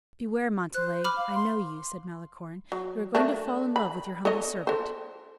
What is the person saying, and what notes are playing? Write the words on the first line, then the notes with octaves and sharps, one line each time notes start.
"Beware, Montalais, I know you," said Malicorne; "you are going to fall in love with your humble servant."
C5 F#6
B5 D6 F6
F5
C6
F#3
A3 A#3 D4
B5
A4 C#5 D#5
A4 C5